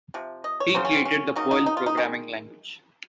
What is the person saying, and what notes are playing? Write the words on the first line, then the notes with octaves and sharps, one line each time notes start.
He created the Perl programming language.
C3 F3
D#5
C#5
C#3 F#3 C5
C#4
C4
C#4
C#3 F#3 A#3 D#4
D#4
D#4
F4
D#4
D#3 G#3